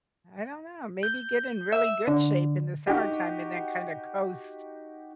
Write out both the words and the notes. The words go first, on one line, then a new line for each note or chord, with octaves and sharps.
I dunno. Maybe get in really good shape in the summertime and then kinda coast
G6
E5
D3
D#4 F#4 G4